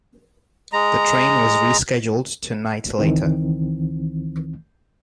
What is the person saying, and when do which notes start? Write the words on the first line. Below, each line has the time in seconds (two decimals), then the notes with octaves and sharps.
The train was rescheduled to night later.
0.73 G#3 A#5
2.99 C#2 D#3 E3 C4